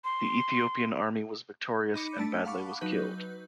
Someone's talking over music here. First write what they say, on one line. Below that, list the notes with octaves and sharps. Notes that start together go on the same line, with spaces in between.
The Ethiopian army was victorious, and Badlay was killed.
C6
D#4 B5 D6 C#7
A3 D4 A5 B6
F5 F#5 A5 B5 C#6 D6
F#3 D#4 B4 G6